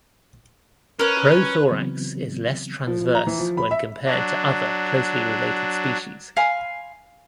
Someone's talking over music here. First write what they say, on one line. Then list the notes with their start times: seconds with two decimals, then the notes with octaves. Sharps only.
Prothorax is less transverse when compared to other closely related species.
0.99 C#4 A#4 B4 C#5
1.71 C#3 E3 F#3 B3 C4
2.87 F3
3.01 F3
3.15 A#5
3.27 E3
3.39 F3
3.57 B5
3.71 E5
4.06 F#3 D4
6.37 F5 G#5 B5 C6